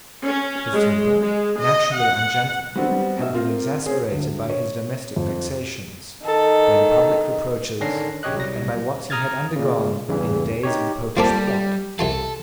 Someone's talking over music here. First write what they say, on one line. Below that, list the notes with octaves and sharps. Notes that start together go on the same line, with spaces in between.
His temper, naturally ungentle, had been exasperated by his domestic vexations, by the public reproaches, and by what he had undergone in the days of the Popish plot.
C#4
G#3
G#3
D#5
F#5
D3 E3 G3 B3 C4 F#4
G3
B2 C#4 E5
C4 F4 A#4
C4 C#4 G#4
D2
C#5
F2
D#3 A4
D3 D#3 C#4 D4 A#6 C7
A#1 C#3 G4 C#5 D#5 F#6
C2 F#3 G3 A#6
A#5 D#6 F6 G#6 A6
A#2 C#3
E2 G2 C#3 E3
D#4 G4 C#5
G3 A#3 C4 F4 A4 D5 A5
G4
C2 F4 A4 F5